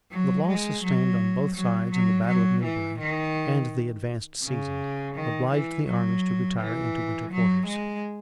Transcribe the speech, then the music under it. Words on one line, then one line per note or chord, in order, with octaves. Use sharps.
The loss sustained on both sides in the battle of Newbury, and the advanced season, obliged the armies to retire into winter quarters.
F#3
G#3
F#3
F#3
F#3
F#3
E3
D#3
C#3
D#3
E3
F#3
E3
F#3
G#3